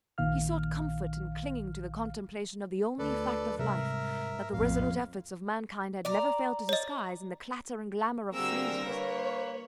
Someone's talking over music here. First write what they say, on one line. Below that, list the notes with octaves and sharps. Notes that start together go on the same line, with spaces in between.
He sought comfort in clinging to the contemplation of the only fact of life that the resolute efforts of mankind had never failed to disguise in the clatter and glamour of phrases.
A#1 A#2 D#3 F5 F6
D2 A4 B4 D5
G#2 C3 G3 A#4 E5
A#1 F2 A2 F5
D5 A#5
C#5 D#5
D3 G3 A#3 C4 F#4 G#4 A#4 E6
A#3 B4 C#5